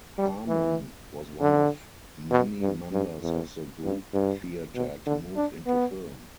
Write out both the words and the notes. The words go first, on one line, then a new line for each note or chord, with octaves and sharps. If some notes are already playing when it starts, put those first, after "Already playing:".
Harmon was one of many members of the Group Theatre to move into film.
G3
E3
D3
B2
G2
G2
E2
G2
G2
B2
D3
D4
B3